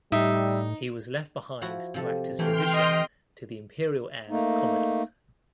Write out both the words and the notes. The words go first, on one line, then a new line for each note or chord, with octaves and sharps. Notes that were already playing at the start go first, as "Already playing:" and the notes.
He was left behind to act as physician to the imperial heir Commodus.
A2 G3 D#4 E5
F3 E4 F#4
C3 F3 A4
E3 A3 E4 G4 G5 C6 F6
D#5
A3 A#3 D#4